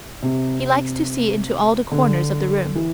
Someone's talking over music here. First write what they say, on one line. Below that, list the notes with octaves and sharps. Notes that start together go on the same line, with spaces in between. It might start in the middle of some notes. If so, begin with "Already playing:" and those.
"He likes to see into all the corners of the room."
C3
D3
E3